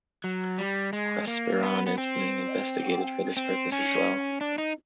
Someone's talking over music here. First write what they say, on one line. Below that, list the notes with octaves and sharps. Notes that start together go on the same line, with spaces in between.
Buspirone is being investigated for this purpose as well.
F#3
G3
G#3
A#3
B3
B3
C4
C4
C#4
D4
D#4